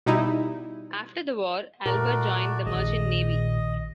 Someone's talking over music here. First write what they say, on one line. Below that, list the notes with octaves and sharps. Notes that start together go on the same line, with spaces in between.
After the war, Albert joined the Merchant Navy.
B2 G3 D#4 E4
A#2 A3 F#4 A#4 D5
A#1 D#3 G#3 D#5